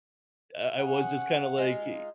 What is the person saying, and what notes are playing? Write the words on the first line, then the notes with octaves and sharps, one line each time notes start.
I I was just kinda like i
C#4 G#4 F#5
G#3 D#4 F4